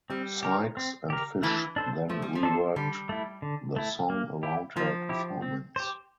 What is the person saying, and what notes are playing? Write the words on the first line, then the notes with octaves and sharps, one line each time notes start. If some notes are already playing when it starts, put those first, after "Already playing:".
Sykes and Fish then reworked the song around her performance.
G3 C4
G4 A#4
C4
G4 A#4
E3 A3
D4 A4 C5
F3 A3
G3
F3
D4 A4 C5
D3 G3
A3 E4
D3
A3 E4
A#3
E4 G4
F3 A#3
E4 G4
C4
G4 C5